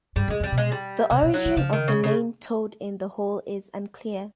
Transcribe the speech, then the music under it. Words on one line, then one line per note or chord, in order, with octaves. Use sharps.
The origin of the name 'toad in the hole' is unclear.
G2 G3
F#2 G#3
F2
G3
B2
G#3
G3
C3 F#3
B2
F#3
D#3
C#3 F3
D#3
C#3
C#3